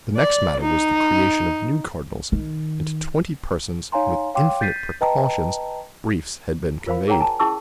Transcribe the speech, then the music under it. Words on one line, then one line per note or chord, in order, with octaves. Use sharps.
The next matter was the creation of new cardinals, and to twenty persons, with infinite precautions, briefs had been conveyed.
D5
D#4
D#3
D#4 C#5 F5 G#5 A#5 C6
C#5 F5 G5 C6 D6
G6 A6 B6 C7 D#7
B4 D#5 G5 A5 A#5
F4 A#4 C5 F5 B5
G#4 A#4 C#5 F#5 G5 A#5
G#5 A5
C#4 E4 G#4 A5 C#6 E6